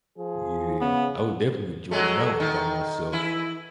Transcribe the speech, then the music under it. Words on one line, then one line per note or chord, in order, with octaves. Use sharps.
Yeah, I would definitely enjoy the mountains by myself.
F3 G#4
C#3 B3
F#3 G#3 A3
D#3
E3 E4